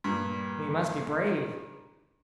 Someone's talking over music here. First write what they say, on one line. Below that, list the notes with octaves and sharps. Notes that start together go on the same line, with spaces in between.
We must be brave.
G2 A#2